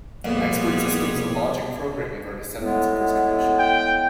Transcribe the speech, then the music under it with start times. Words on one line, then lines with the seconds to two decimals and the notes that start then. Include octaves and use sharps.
Expert systems and logic programming are descendants of this tradition.
0.24 F2 A#2 G3 G#3 B3
2.60 A2 G#3 B3
3.59 G5